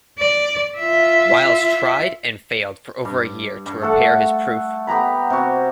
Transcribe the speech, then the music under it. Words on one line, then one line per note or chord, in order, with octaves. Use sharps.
Wiles tried and failed for over a year to repair his proof.
D5
F4 E5
G2
G2
A3 A4 F#5 A5
B3 G4 A#5 B5
C3 F#4